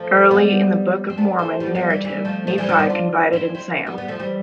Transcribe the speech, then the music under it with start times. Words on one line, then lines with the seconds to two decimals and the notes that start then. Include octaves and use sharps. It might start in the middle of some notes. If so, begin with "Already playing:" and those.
Early in the Book of Mormon narrative, Nephi confided in Sam.
Already playing: F3 A3
0.31 G3 B3
1.10 C4
1.18 B3 D4
1.39 A3 C4
1.60 G3 B3
1.75 G3 B3
1.90 E3 G3
2.04 E3 G3
2.25 F3 A3
2.47 F3 A3
2.58 E3 G3
2.69 D3 F3
2.79 B3 D4
2.90 D4 F4
3.33 C4 E4
3.55 C4 E4
3.87 G3 B3
3.98 G3 B3
4.08 F3 A3
4.19 E3 G3